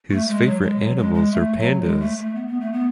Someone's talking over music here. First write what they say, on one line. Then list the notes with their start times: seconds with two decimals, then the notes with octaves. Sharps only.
His favorite animals are pandas.
0.11 A3
0.28 G#3
0.46 F#3
0.62 G#3
0.80 F#3
0.98 G#3
1.14 G#3
1.32 A3
1.58 F#3
1.83 G#3
2.00 A3
2.18 A3
2.35 B3
2.47 B3
2.60 A3
2.73 B3